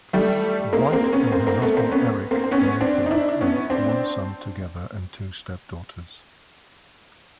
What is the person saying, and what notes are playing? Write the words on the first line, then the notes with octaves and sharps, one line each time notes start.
White and her husband Erik Mayville have one son together and two stepdaughters.
G3 A3
G#3 A#3
A#3 C4
B3 C#4
A#3 C4
A#3 C4
A3 B3
A#3 C4
B3 C#4
A#3 C4
C4
B3 C#4
C4 D4
D#4
D4 E4
B3 C#4
C4 D4